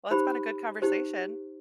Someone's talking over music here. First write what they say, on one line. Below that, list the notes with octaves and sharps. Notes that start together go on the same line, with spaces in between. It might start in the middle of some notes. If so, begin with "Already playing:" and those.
Well, it's been a good conversation.
D#4 G4 C5 B5
D#4 G4 C5